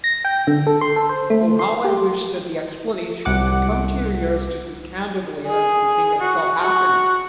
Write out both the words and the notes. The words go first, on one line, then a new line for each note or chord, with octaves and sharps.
Oh how I wish that the explanation could come to your ears just as candidly as the thing itself happened!
A#6
G5
D3
A4
C6
A4
C5
A3
C6
G4
C2 F#5 D6
G#4
F#4
F#4